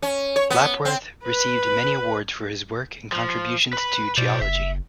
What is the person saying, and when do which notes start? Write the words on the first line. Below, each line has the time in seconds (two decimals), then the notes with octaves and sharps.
Lapworth received many awards for his work and contributions to geology.
0.02 C#4
0.36 C#5
0.50 B3
0.85 C4
1.25 B4
3.13 F3
3.73 B4 B5
4.18 B2 C5 D5
4.41 F#1 E5